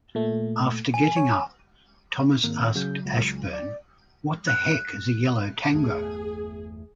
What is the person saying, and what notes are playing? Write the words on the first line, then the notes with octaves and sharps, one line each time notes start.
After getting up Thomas asked Ashburn, What the heck is a Yellow Tango?
A#2 A3
G#5
C#5
G#1 A#3
C#3 F#3 G6
C#2
D5
F#6
G1 E2 A3 G#4